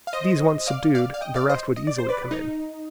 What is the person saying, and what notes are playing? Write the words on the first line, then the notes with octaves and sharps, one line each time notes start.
These once subdued, the rest would easily come in.
F5
C5 D#5
D5 F5
D5 F5
F5
D#5 G5
D5 F5
C5 D#5
D#5
D5
C5
B4 D5
D#4